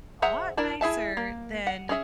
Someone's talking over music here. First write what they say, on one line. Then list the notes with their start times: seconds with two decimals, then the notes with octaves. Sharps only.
a lot nicer than
0.22 G#4 C5 E5 F#5 A#5
0.57 D4 E4 A#4 D5 A5
0.81 E4 G#4 E5 A5
1.17 A#3
1.67 F#5
1.89 C#4 G#4 E5